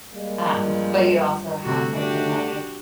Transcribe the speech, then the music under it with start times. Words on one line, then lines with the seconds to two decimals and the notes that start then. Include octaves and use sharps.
um, but you also have something like
0.14 G3 G#3 A#3
0.49 G2 F3
1.62 D2 C3 A3 F#4
1.96 D4 F#4 G4